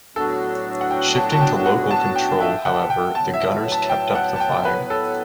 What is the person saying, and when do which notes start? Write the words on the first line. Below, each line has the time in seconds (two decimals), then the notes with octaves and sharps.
Shifting to local control, however, the gunners kept up the fire.
0.16 A2 F#3 B3 D4 F#4 A4
0.81 F#5
0.91 G5
1.16 A5
1.32 A5
1.41 G5
1.66 F#5
1.91 A5
2.16 G5
2.41 E5
2.65 F#5
2.90 G5
3.15 A2 F#3 B3 A5
3.34 E5
3.72 A5
3.89 G5
4.15 F#5
4.36 A5
4.40 G5
4.65 B4
4.90 A4